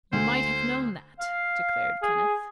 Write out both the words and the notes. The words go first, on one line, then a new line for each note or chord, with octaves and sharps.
"You might have known that," declared Kenneth.
D2 C5
F5
G#4